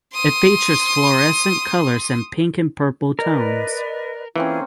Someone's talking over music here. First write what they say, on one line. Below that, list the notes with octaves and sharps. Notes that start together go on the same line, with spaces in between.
It features "fluorescent colors" and "pink and purple tones".
C6 D#6
A#4 B4 D5 D#5
E3 A#3 C4 C#4 F4 G#4